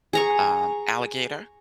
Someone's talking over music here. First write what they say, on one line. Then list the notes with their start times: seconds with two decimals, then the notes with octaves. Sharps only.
um, alligator,
0.13 G#4 A#5 C#6